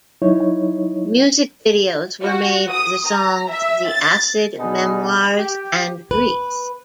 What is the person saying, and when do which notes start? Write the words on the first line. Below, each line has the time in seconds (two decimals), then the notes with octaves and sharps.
Music videos were made for the songs "The Acid Memoirs" and "Grease".
0.22 F#3 D#4 E4 C#5
2.22 F#4
2.71 D#6
3.06 A#5
3.51 E5
3.89 A6
4.57 B2 B3 D4 D#4 G#4
5.36 G4
6.11 B4